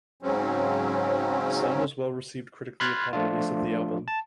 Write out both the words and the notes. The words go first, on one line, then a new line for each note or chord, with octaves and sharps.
The song was well received critically upon release of the album.
G#2 C#3 F#3 C4 C#4
B5 C6 F6 F#6 G#6 A6
F3 A3 D4 F4
A5